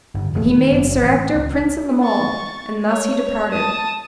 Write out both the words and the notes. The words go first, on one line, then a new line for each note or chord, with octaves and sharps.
And he made Sir Ector prince of them all, and thus he departed.
G1
E1
D#3
F#1
A1
C#2
D4
C#6 A6
C#5
A5 D#6